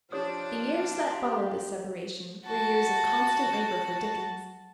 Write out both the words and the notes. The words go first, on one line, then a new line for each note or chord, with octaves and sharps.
The years that followed this separation were years of constant labor for Dickens.
F3 D4 G4 C#5 D#6
G4 F5 C6
F#4 A5